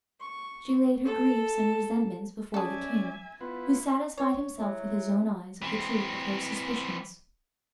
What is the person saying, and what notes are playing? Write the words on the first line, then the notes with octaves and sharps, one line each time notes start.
She laid her griefs and resentment before the king, who satisfied himself with his own eyes of the truth of her suspicions.
C#6
A4
C#4 G#4 A4 D5 E5 G#5
B3 E4 F4 B4
C#5
F#3 E4
E3 C4